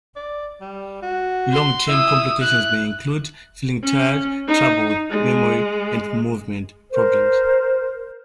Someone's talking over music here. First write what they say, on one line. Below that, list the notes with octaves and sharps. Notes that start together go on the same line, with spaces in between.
Long term complications may include feeling tired, trouble with memory, and movement problems.
D5
G3
F#4
C6
E4 D#6 E6
E4 F#6
C#4
D#4
G#3
A#4 C5